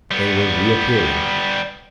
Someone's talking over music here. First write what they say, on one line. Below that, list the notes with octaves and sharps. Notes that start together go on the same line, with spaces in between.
They were reappearing.
G3 B3